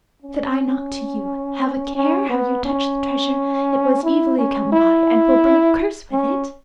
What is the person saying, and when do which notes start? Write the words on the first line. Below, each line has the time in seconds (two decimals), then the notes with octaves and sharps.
Said I not to you, Have a care how you touch the treasure, it was evilly come by and will bring a curse with it?
0.22 C#4
1.95 C#4
2.30 B3
2.65 C#4
4.03 E4
4.38 C#4
4.72 E4
6.12 C#4